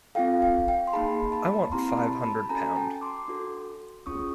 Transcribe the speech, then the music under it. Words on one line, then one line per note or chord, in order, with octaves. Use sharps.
I want five hundred pound.
C4 F4 A4 F5 G5
F5 G5
F5 G5
C6
A#3 D#4 G#4 A5 B5
A5 B5
C4 E4 G4 A#5 C6
A5 B5
A5 B5
C#4 F#4 A4 G#5 A#5
G5 A5
C6 D6
D4 F#4 A4
C#4 F4 G#4 C#6 D#6